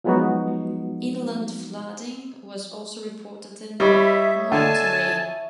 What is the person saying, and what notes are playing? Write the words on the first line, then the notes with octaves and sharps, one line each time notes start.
Inland flooding was also reported in Monterrey.
F3 F#3 G#3 B3 D#4 F#4
G3 E4 C#5 D#5 E5
D3 G#5 A5